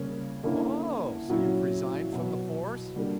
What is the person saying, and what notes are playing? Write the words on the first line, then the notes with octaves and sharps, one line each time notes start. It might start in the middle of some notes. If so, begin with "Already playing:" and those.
"Oh, so you've resigned from the force?"
Already playing: C#3 G3 A#3 C#4
D3 A#3 C#4 E4
A#2 F#3 C#4 E4
B2 F#3 B3
D3 G3 A#3